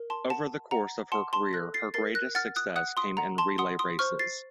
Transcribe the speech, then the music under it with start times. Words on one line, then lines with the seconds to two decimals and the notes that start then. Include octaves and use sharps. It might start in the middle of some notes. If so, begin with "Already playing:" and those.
Over the course of her career her greatest success came in relay races.
Already playing: A#4
0.10 A5 C6
0.30 F#5 A5
0.71 F#5 A#5
1.12 F#5 A5 C6
1.33 A5 C6
1.53 A4 F#6 A#6
1.74 A6 C7
1.94 A#4 A6 C7
2.15 F#6 A#6
2.35 F#5 F6 A6
2.56 D#6 F#6
2.76 F#5 D#6 F#6
2.97 C6 D#6
3.17 F#5 A#5
3.38 A5 C6
3.58 F#5 C6 D#6
3.79 C6 D#6
3.99 C5 C#6 F6
4.19 A6 C7